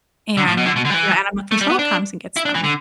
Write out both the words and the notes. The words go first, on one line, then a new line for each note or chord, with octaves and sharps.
and, you know, animal control comes and gets them.
D3
A2
B2
D3
B2
D3
G3
E3
A3
G3
B3
D4
E4
D4
E3
D3